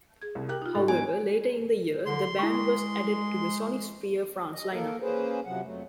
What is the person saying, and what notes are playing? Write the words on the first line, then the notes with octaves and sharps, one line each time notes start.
However, later in the year the band was added to the Sonisphere France line-up.
G#4 G#6
C2
G4 A#4 F#6
D#4 F4
G#2 A4 C#6
B3 D#4 G#5
D3 C6
G#3 E4 C#6
D#5
A#3 A4 A#4
A#3 C#4 G#4 B4 C5
C3 F3 F#3 F#5
F2 F#3 A3